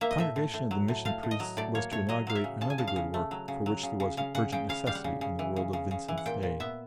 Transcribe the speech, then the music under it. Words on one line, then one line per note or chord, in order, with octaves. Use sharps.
The Congregation of the Mission Priests was to inaugurate another good work for which there was an urgent necessity in the world of Vincent's day.
A#3 E5
D#5
A2 E5
A2
A2
F#3
A2
A2 F5
A2
D#5
F#3
A2 D5
A#3 C#5
A2 C#5
F#3 D#5
F#3 F5
E5
C#3
C#3 A5
G#5
C#3 A5
F5
C#3
A3
F#3
C#3
F#3
C#3
C#3
C#3 F5
C#3 F#5
C#3 G5
C#3 F5
G3 F5
F#5
C#3
C#3
E3
C#3
C#3
C#3
E3
F#5
A#2 G5
A#2
B3 E5